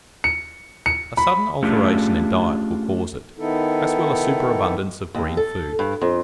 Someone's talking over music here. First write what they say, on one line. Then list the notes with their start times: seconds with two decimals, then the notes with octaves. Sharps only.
A sudden alteration in diet will cause it, as will a superabundance of green food.
0.24 C#7
0.86 C#7
1.17 B5
1.63 A3 C#4 D4 F4 G4 G#4
3.38 D#3 B3 D#4 E4 A4
5.15 D#2
5.37 A4
5.79 G2
6.02 F2